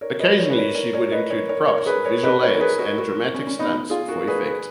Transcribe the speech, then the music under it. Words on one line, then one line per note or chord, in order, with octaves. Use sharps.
Occasionally she would include props, visual aids, and dramatic stunts for effect.
A#4 C#5
B4 D#5
A#4 C#5
B4
A#4 C#5
A#4 C#5
A#4 C#5
B4 D#5
A#4 C#5
A#4 C#5
A#4 C#5
A#4
G#4 B4
A#4 C#5
B4 D#5
A#4 C#5
A#4
G#4 B4
F#4 A#4
F#4 A#4
C#4
C#4
B3 D#4
F4 G#4
F#4 A#4
G#4 B4
G#4 B4